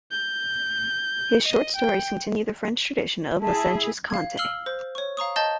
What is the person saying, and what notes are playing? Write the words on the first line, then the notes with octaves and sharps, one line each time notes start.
His short stories continue the French tradition of the licentious "conte".
G6
D#5
G5
E4 G#4 A5
F5 G#6
E6 F6 C7 F#7 G7
C5
C#5 C#6
F5 A#5 C#6 D#6
D#5 A5 G6 A6 E7 G7